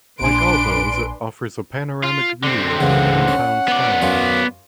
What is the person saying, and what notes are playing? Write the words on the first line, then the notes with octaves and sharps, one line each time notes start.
Like all those, it offers a panoramic view of the downtown skyline.
A#1 A#2 D4 B4 G#5 C6 D7
F4
D3 C4
C#2 C#3 E3 F#5
C#4
B3 D5
F#2 C#4 F4